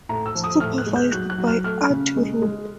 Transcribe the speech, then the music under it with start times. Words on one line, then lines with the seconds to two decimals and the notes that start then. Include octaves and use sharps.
Supervised by Art Rupe.
0.09 A2 A#5
0.26 E6
0.35 F3
0.44 D#6
0.60 A2 F6
0.78 F#6
0.86 G#3
0.96 G6
1.12 F#3 F#6
1.30 F#6
1.38 F#3
1.47 F6
1.64 A3 F6
1.90 C#3
2.17 G#3
2.42 G#3